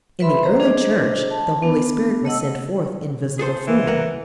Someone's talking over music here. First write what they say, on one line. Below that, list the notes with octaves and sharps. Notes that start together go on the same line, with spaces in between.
In the early Church the Holy Spirit was sent forth in visible form.
B4 E5 B5 C6
C5 A#5
D4 G#4 C5 D#5
A5
B3 D4
A3 D#5 F#5 E6
G#4 A4 C5
E3
A#4 F#5